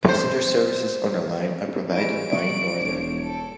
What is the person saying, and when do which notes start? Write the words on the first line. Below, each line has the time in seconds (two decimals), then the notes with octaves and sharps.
Passenger services on the line are provided by Northern.
0.08 C5
1.94 E3 G3 G#3 C#5 D7
2.35 D5 C#6 C#7
2.82 E1 C5 C#5
3.24 A4